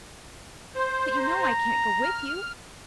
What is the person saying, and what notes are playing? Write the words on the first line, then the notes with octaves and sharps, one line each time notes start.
But, you know I can't go with you.
C5
A#5
F6